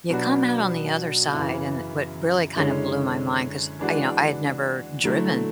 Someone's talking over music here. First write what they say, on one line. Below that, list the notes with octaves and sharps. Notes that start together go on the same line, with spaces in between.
you come out on the other side, and what really kinda blew my mind 'cause I you know, I had never driven
B2 F#3 B3 D4 F#4
F#2 C#3 E3
F#2 D3 G#3 C#4 E4
E3 G#3 D4 F#4
D3 F#3 A3 E4